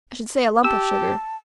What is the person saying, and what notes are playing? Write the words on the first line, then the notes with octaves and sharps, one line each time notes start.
I should say a lump of sugar.
G4 A5 E6